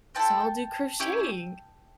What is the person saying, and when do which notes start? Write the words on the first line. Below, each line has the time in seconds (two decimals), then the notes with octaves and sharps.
so I'll do crocheting."
0.15 C4 E4 A4 G5 A5
1.00 C#4 E4 G4